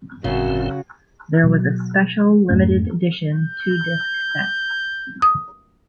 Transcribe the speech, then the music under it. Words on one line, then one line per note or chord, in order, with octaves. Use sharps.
There was a special limited-edition two-disc set.
G1 F#2 A2 C#3 C4 F#4
B2 F#3
F2 G#2 A3 C#4
G6
D#6